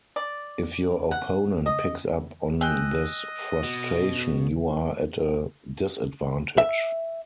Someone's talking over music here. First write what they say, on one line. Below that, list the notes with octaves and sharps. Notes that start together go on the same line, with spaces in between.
If your opponent picks up on this frustration, you are at a disadvantage.
D5
F#5
D#5
G#3 D#5 G5 E6 F#6
B2
E5